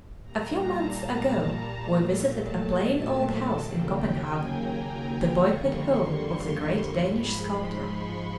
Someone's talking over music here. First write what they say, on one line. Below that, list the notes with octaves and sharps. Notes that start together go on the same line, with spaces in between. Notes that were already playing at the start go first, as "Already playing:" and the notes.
A few months ago we visited a plain old house in Copenhagen, the boyhood home of the great Danish sculptor.
A#2 G3 A#3 A#5
A5
A#5
A5
A#2 F#3 A3
A5
D#2 C#3 F#3 A#3 G5
G#5
A#5
F2 D3 G3 A#3 C#6
C6
G#2 F3 G#3 B5
C6
C#6